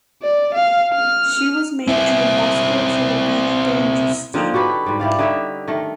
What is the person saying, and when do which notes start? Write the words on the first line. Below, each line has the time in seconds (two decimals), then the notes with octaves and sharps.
She was made an ambassador for the beauty brand Justine.
0.22 D5
0.54 F5
0.94 F6
1.88 C4 E4
4.34 D3 F3 C4 D#4
4.54 F#4 G4 A4 B4
4.86 G#2 G3
5.00 E4 G4 D5 F5
5.19 D3 D#4 C#5 E5
5.68 D#3 A3